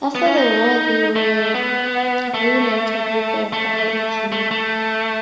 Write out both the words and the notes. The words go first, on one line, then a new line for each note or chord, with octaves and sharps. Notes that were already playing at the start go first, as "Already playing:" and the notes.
After the war they were reunited with their father in Germany.
B3
C#4
D#4
A3
B3
A3
A3
A3
A3